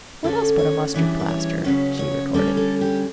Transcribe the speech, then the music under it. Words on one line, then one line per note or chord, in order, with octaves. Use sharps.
"What else but a mustard-plaster!" she retorted.
D3 A3 C#4 A4
C#5
C#3 E3 G3 D4 B4
B4
C#5
C#3 F#3 C#4 B4
C#5
D3 G3 C#4 A4
A4
G4